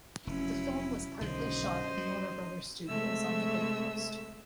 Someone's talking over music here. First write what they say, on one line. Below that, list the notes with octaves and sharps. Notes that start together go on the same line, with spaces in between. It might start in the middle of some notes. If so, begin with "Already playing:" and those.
The film was partly shot at Warner Brothers studios on the Gold Coast.
F1 F#3 C#4 E4
B1 F#2 D3 D#3 C5 D#5
F#3
C3 G#3 A3 E5 E6